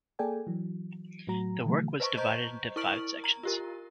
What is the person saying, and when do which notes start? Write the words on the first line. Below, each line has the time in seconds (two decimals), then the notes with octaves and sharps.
The work was divided into five sections.
0.19 A#3 G#4 A4 D5 G5 G#5
0.47 E3 F#3
1.27 A2 F#3 F#4 A#5
1.65 B2 D3 E3 F#3 A3
2.00 B4 C5 D#5 A5 C#6
2.17 C5 D#5 A#5 C#6 G6
2.76 E4 A#4 C#6 F6 D7 F#7
3.24 A#5
3.43 F4 G4 A#4